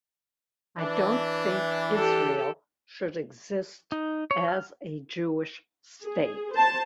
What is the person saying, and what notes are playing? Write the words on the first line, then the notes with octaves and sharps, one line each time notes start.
I don't think Israel should exist as a Jewish state.
E3 D4
G4 A4
D#4
C#5
F6
G#4
C5 A5